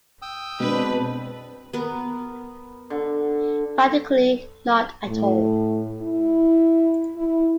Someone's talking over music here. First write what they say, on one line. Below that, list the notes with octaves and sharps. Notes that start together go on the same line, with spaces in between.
Practically not at all.
G5 D#6 E6
B2 G#3 C4 D4 B4
B3 A#4
D3 A4
A2
E4
E4